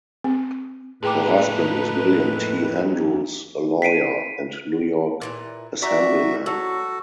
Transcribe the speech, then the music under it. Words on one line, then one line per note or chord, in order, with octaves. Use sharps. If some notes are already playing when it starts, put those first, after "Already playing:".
Her husband was William T. Andrews, a lawyer and New York assemblyman.
C4
F2 A2 A#3 D#4 G#4 B4 G5 D6
B6 C7 D7 D#7
A#2 D#3 E3
F#4 D5 E5 A#5
F#3 F#4 A4